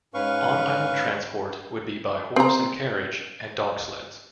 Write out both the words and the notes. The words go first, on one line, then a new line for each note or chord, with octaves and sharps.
On-island transport would be by horse and carriage and dog sleds.
G#2 C#4 B4 F5 C#6
C4 A#5